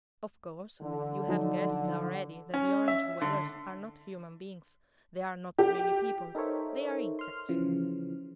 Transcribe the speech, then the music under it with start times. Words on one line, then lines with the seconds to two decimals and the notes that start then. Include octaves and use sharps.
Of course, you have guessed already that the Orange-dwellers are not human beings; they are not really people; they are insects.
0.82 D3 E3
1.28 F3 F#3 D#4
2.54 C#4
2.88 E5
3.21 D3
5.58 G4
6.35 D#4 A4 A#4 C5 C#5 E5
7.19 C6 F6
7.49 C#3 E3 F3